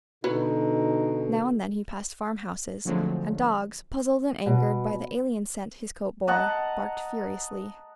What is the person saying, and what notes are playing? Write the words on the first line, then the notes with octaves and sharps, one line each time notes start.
Now and then, he passed farmhouses, and dogs, puzzled and angered by the alien scent his coat bore, barked furiously.
B2 D3 D#4 E4 F#4 B4
D3 F3 F#3 G#3 A3 C4
B2
D#5 F#5 A5 A#5